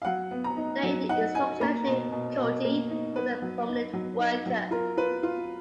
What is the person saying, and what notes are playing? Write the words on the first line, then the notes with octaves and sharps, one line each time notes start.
There an instructor named Kote was a prominent worker.
F5
F#3 F#5
B3
A#5
D#4
F#3
D#4 F#5
D#4 G#5
A#3 A#5
B2
B2
B2
A#3
D#4
B3 B4
F#3
D#4
F#3
D#4
F#3
F4 A#4
F4 B4
F4